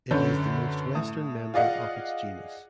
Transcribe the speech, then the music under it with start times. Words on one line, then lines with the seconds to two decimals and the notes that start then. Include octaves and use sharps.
It is the most western member of its genus.
0.11 F#2 D3 A4 B4 C#5 G6
0.95 A2 D#6
1.54 F4 G#4 D5 D#5 F5 F#5